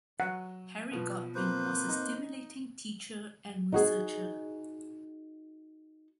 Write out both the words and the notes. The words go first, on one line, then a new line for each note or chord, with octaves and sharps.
Harry Godwin was a stimulating teacher and researcher.
F#3 F#5
B2 F3 B3
A#3 C4 B4 C5
D#4
D#4 F#4 G#4